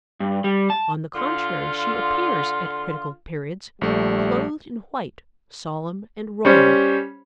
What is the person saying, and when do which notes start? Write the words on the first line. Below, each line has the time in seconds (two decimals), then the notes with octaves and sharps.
On the contrary, she appears at critical periods, clothed in white, solemn and royal.
0.20 G2
0.44 G3
0.70 A5
1.15 D3 F4 C6
3.81 A#1 G3 A3
6.45 G3 C#4 C5